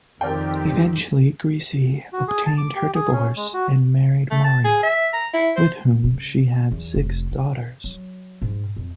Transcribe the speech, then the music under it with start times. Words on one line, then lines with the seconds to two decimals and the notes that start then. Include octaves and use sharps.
Eventually, Grisi obtained her divorce and married Mario, with whom she had six daughters.
0.21 F2 D#3 C4 G4 A#4 D5 G5
2.13 F#4
2.28 G#4
2.45 A5
2.58 D6
2.76 G4
2.95 G#4
3.12 C#4
3.37 G#3
3.54 F#4
4.30 A3
4.44 A5
4.64 G#4
4.83 E5
5.13 A#5
5.33 E4
5.56 C5
6.04 C#3
6.71 E2
6.95 F1
7.32 B3
7.84 F#3
8.42 G#2
8.77 F2